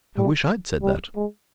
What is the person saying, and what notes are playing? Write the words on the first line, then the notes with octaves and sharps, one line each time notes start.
"I wish I'd said that."
G3
G3
G#3